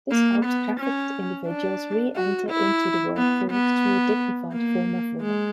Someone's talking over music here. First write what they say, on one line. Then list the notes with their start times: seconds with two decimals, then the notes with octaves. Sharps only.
This helps trafficked individuals re-enter into the workforce through a dignified form of work.
0.11 A#3
0.45 B3
0.80 C#4
1.47 D4
2.15 F#4
2.49 E4
3.17 B3
3.51 B3
4.52 A#3
5.21 G#3